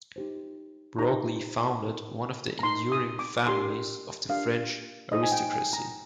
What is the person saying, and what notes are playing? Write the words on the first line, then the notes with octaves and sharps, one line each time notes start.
Broglie founded one of the enduring families of the French aristocracy.
D#4 G4 C5
D#4 G4 C5 A#5
D#4 A#4
A#5
D#4 A#4 C6
D#6
D6
D6
D4 G4 A#4 C6
D4 G4 A#4 F5
D#4 G#4 C5 D#5
G#5
G5
G#5
A#5